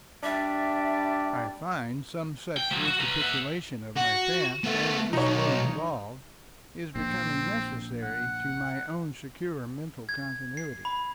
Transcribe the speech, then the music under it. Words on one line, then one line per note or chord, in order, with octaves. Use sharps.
I find some such recapitulation of my past as this will involve, is becoming necessary to my own secure mental continuity.
G3 D4 D5 E5
G5
F3 F#3
F#4
B4 A#5
E5 F#5
F#4
A3 B3
B1 D#4 C#5
A#1 C4
F#5
G#6
C7
B5